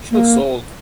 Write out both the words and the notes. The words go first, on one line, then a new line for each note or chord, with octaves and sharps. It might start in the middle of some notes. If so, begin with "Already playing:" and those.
She looks old.
A#3